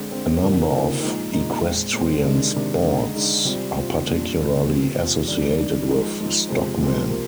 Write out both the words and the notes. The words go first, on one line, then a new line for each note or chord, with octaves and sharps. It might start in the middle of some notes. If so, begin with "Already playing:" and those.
A number of equestrian sports are particularly associated with stockmen.
Already playing: D3 G#3 C4
D3 G#3 C4
C3 D#3 A#3 D4 F4
C3 D#3 A#3 D4 F4
A#2 F3 G#3 D#4
A#2 F3 G#3 D#4
A#2 G#3 C4
A#2 G#3 C4
C3 D#3 G#3 D4
C3 D#3 G#3 D4
D3 G#3 D#4
D3 G#3 D#4
C3 G3 C4 F4
C3 G3 C4 F4
A#2 G3 D4 F4
A#2 G3 D4 F4
C3 F3 C4
C3 F3 C4
D#3 G3 D4
D#3 G3 D4
F3 G#3 D#4
F3 G#3 D#4
C3 F3 G#3 C4
C3 F3 G#3 C4
C3 F3 A#3